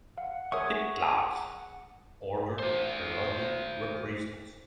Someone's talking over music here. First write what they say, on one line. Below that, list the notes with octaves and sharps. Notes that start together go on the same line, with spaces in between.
Hitler ordered bloody reprisals.
F5 F#5
G#4 A#4 C#5 E5 C#6 D#6
F#4 C5